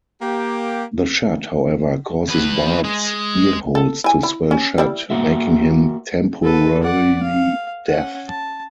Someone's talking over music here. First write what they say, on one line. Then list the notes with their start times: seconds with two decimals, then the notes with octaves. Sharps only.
The shot, however, causes Bart's earholes to swell shut, making him temporarily deaf.
0.22 A#3 G4
2.28 E2 B4
2.84 G#3
3.75 A4
4.04 E4 G#5
4.23 E4
4.51 C#4
4.78 G3 E4
5.10 A#3 F#4 E5
6.43 A4 B4
6.83 D5 F#5
7.22 F5
7.87 C#4 F#5
8.29 A5